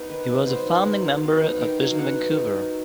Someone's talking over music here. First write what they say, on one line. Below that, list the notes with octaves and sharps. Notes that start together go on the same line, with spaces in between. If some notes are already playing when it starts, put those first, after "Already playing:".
He was a founding member of Vision Vancouver.
Already playing: B3 D#4
D#3 B4
F#3
B3 C5
D#4
D#3 E5
F#3
B3 F5
D#4
D#3 G5
F#3
F5
B3 F#5
D#4
D#3
F#3